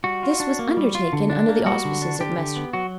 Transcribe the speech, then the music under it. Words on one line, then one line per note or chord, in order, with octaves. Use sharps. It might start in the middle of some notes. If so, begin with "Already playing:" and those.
This was undertaken under the auspices of Messrs.
G3 F#4
F4
D4
A#3
G3
F4
D3
D4
A#3
G3 F#4
D3
D4
D3 G4
D3
B3
F#3 F#4